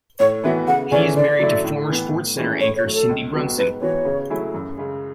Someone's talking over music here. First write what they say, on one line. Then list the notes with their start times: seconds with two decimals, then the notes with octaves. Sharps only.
He is married to former SportsCenter anchor Cindy Brunson.
0.19 A2 C#5
0.44 E3 B3 F#4 E5
0.67 C#3 F#5
0.91 E3 A3 C#4 G#4 D5
1.16 D3 D5
1.39 F#3 A3 E4
1.64 A2
1.88 E3 B3
2.12 A2
2.37 E3 G#3 C#4 E4
2.60 A2 C#5
2.76 C#5
2.84 F#3 A3
2.93 A4
3.09 C#2
3.33 B2 F#3 B3 F#4
3.57 G#2 B4
3.81 E3 B3 F#4 C#5
4.05 C#3
4.30 F#3 A3 E4 G#4
4.54 F#2
4.78 C#3 G#3